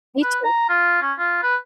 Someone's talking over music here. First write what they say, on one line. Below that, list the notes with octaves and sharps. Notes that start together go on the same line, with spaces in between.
Me too.
B4
A#5
F4
C#4
F4
B4